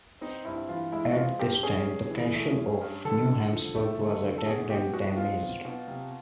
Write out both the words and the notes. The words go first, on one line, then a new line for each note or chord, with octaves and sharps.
At this time the castle of Neu Habsburg was attacked and damaged.
C4 D#4
G2 E4
E3 F4
G#3 E4
F#4
C4 F4
G2 G4
C#4 G#4
G2
E3
A3
C#4
G2
D3 A4
D3
F3
A3
D3
D3
A4
B2 G#4
B2 G4
G#3 F#4
C4 F4
B2
B2
C3